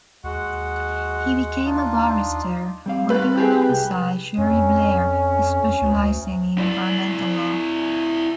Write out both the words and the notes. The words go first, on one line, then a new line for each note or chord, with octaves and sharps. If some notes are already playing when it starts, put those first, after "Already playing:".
He became a barrister, working alongside Cherie Blair, specialising in environmental law.
D#2 G#3 F#4 F#5
D4 D#4 F4
G3 C4 F5
G#2 A3 B4
A2 G4 G#4
C2 G5
F2 C#4
D2
E4 D5